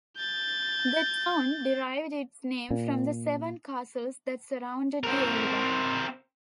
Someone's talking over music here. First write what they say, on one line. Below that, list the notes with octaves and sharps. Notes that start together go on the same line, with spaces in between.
The town derived its name from the seven castles that surrounded the area.
G6 A6
A#2
C4 A#4